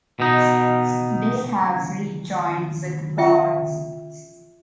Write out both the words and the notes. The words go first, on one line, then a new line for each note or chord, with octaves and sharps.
They have rejoined with God.
B2 D#4
C#4 F4 E5 G5